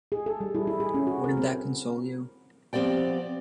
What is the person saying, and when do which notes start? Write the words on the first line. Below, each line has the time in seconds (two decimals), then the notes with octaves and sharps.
Wouldn't that console you?
0.12 G#4
0.26 A4
0.40 G3
0.55 E4
0.67 E4
0.80 G#4
0.94 C#4
1.07 F#4
1.24 A#4
1.37 C4
2.73 F3 B3 C4 G4 D5 G5